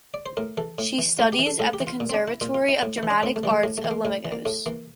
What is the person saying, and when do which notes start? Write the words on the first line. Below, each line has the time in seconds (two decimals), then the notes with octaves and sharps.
She studies at the Conservatory of Dramatic Arts of Limoges.
0.14 D5
0.26 C5
0.37 A2 A#4
0.57 E3 A4
0.78 A2
0.99 E3
1.19 A2 F4
1.32 G4
1.39 E3
1.47 A4
1.59 A2 A4
1.73 G4
1.80 E3
1.87 F4
2.00 A#2
2.10 C4
2.14 D4
2.28 E4
2.41 A#2 F4
2.54 F4
2.69 E4
2.82 A2
2.98 E4
3.03 E3
3.10 D4
3.23 A2 C4
3.36 A3
3.43 E3 G3
3.51 A3
3.63 A2 A3
3.78 A3
3.84 E3
3.91 A#3
4.05 A2 A3
4.25 E3
4.32 A#3
4.45 A2 A3
4.66 E3 A#3